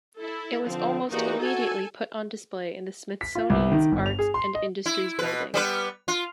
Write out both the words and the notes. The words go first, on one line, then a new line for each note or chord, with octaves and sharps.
It was almost immediately put on display in the Smithsonian's Arts and Industries Building.
E4 A4
D3 F3 C4
E2 A#3 D#4 F#4 G4
F#4 A4 G#5
B6
F4
C2
D#3
G1
F7
G#4
C6
D#5
E4
B2 B4
G3 B3 B4
F4